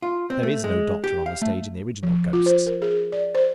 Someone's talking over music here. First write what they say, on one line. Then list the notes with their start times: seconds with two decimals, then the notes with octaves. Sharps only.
There is no doctor on the stage in the original Ghosts.
0.02 F4
0.30 C4
0.43 A3
0.64 G#3
1.04 G4
1.26 F5
1.42 A3
2.03 F3
2.33 F4
2.46 C5
2.66 A#4
2.82 G#4
3.12 D5
3.35 C5